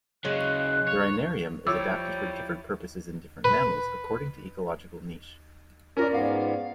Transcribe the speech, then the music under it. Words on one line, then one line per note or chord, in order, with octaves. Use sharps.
The rhinarium is adapted for different purposes in different mammals according to ecological niche.
C#3 F#3 G#3 C#4 F5 F#6
C#5
F3 G3 E4 C#5 D6 E6
B4
C#4 F4 A#4 D5
G#2 B3 F5